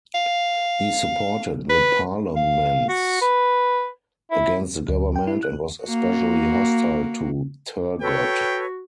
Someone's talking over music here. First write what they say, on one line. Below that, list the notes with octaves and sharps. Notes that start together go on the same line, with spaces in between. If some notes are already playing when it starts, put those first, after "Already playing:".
He supported the "parlements" against the government and was especially hostile to Turgot.
F5
B4
F5
F#4
B4
E4
D2
G5
E4
F#6
A#3 F#4
F#4 A4 B4 C#5 G5